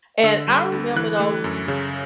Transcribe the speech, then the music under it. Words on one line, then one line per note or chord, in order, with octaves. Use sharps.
and I remember those
D3 E6
G3
D2
E3 F#6
A3
F#2
C#3